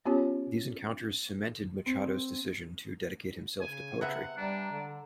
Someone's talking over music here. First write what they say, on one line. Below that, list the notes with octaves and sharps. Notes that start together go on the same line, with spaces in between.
These encounters cemented Machado's decision to dedicate himself to poetry.
B3 C#4 F4 G4 C#5
C4
C#3 G#5
C3 B3 E5 F#5
G3 D4 A#5
D3